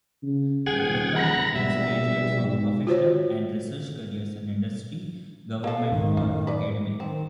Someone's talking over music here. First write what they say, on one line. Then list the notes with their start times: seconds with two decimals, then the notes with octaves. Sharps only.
The program prepares graduates for professional and research careers in industry, government or academe.
0.23 C#3
0.66 D#1 G#4 F#5 G5 G#6
1.16 F#5 A#5 B5 A#6
1.55 A#1 B2 G3 E5
2.43 G#2
2.87 F4 F#4 C5 C#5
5.64 A#3 A4 F5
5.92 G#2 D#3
6.17 F#2 A2 F4
6.47 B4 D5
7.00 D#3 C4